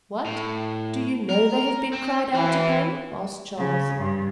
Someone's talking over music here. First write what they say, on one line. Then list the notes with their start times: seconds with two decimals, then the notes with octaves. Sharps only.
"What! do you know they have been cried out upon?" asked Charles.
0.25 A2
1.30 A#4
1.93 C4
2.34 E3 F#4 F5
3.58 C#3
3.98 G2